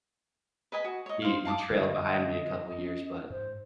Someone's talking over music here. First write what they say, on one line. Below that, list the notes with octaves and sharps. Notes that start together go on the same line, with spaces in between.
He he trailed behind me a couple years, but,
B4 D#5 G#5 B5
F#4
C#5 D#5
C5 F5
F5 A5 D6 D#6
D3 F#3 D#5
C#4
G#2 C5